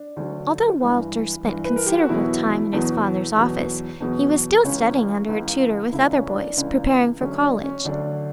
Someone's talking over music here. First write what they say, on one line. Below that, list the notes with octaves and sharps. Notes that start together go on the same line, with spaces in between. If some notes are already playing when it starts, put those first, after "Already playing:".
Although Walter spent considerable time in his father's office, he was still studying under a tutor with other boys, preparing for college.
Already playing: D4
D2 D3 F#3
G2 E3
G2 E3
B4
A#4
G4
F#4
E2 B2 F#3 E4
E2 B2 F#3
E2 B2 F#3
E2 B2 F#3
C#2 C#3 E3 C#4
C#2 C#3 E3
C#2 C#3 E3 E4
D4
C#4
D4
C#2 C#3 E3
D2 D3 F#3 C#4
D4
C#4
D2 D3 F#3 D4